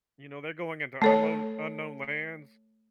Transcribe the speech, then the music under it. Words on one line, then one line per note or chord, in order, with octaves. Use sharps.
you know, they're going into unknown unknown lands.
A3 A4 C#5